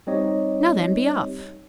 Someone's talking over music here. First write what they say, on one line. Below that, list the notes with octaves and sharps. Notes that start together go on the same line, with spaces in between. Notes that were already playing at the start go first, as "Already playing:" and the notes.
"Now, then, be off!"
G3 C4 D#4 G4 C#5 D#5